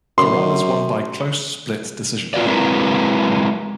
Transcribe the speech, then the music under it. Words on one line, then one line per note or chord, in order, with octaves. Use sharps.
Corrales won by close split decision.
F#2 C6
F4 F#4 B4 D5
F#3 G#3 C4 E4 A#4 B4